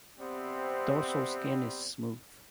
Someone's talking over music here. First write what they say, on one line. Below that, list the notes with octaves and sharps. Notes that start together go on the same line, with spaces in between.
Dorsal skin is smooth.
C3 G3 B3 C4